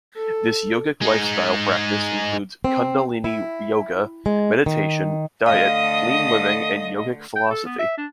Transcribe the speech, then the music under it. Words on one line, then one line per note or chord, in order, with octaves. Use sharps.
This yogic lifestyle practice includes Kundalini yoga, meditation, diet, clean living, and yogic philosophy.
A4
G#3 D#4
C4
E4
G#3
D#3
D3 A3 D#5 F5 D#6
G5
A4
B3
E5
D4